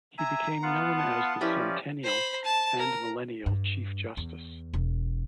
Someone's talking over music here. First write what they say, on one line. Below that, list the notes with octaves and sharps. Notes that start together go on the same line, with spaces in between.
He became known as the Centennial and Millennial Chief Justice.
E5 G#5 A#5
B3 F4 F5 F#5
A5
F3 C#4 E4 G4 B4 D5
C5 B5
A5
A#4
G2
E2
E1